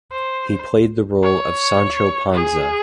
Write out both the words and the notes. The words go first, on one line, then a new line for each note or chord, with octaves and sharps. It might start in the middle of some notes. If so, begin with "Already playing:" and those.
He played the role of "Sancho Panza".
C5
C#5
G#4